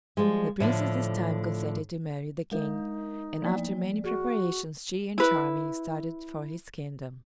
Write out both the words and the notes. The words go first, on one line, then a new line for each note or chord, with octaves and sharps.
The Princess this time consented to marry the King, and after many preparations she and Charming started for his kingdom.
F3 G3 G#3
A2 D3 F3
G#3 D#4 A#4
F3 A#3 D5
F#4 G#4
E4 B4